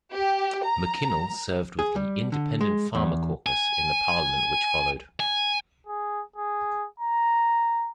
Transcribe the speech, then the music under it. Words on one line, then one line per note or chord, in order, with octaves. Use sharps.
McKinnell served with the Independent-Farmer caucus in the parliament which followed.
G4
A#5
G#4
G3
D3
G#3
E2
G#5
G#5
G#4
G#4
A#5